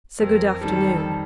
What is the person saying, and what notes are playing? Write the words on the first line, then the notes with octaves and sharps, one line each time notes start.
So good afternoon.'
F2 A#4
D#3 G3 A4